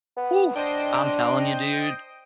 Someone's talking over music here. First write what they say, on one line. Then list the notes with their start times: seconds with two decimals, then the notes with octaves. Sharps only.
Oof! I'm telling you, dude,
0.17 B3
0.56 D4 C5 D#5 G5